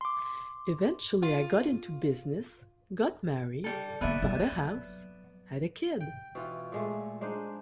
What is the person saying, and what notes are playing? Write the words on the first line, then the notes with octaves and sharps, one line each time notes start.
Eventually I got into business, got married, bought a house, had a kid.
C6 D6
F4
G3 A4
D3 A#3 B3 D5 E5
F#3
G5
B2 E3 F4
A#2 G#3 A3
G#3 D4 D#4 C5